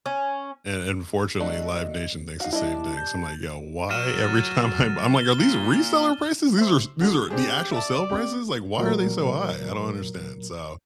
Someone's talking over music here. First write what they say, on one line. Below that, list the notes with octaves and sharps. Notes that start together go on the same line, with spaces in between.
And unfortunately, Live Nation thinks the same thing, so I'm like, "Yo, why every time I" I'm like, "Are these reseller prices? These are s these are the actual sale prices? Like, why are they so high?" I don't understand. So
C#4
F#3 A3 D4 D#5
D#4 F#4 F5
G3 D4 E4 D#5 A5
G6
F#3 F6 D#7 E7
A6
G7
A#2
C5 E5
D3 F#3
C4 D4 G4 G#4
D5 E5 A5
C3 G4
A#2 F#3 A#4